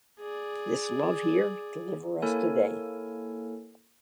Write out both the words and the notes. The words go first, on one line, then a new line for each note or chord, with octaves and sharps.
This love here deliver us today.
G#4 D5
A#3 E4 A4 A#4 C#5 G#5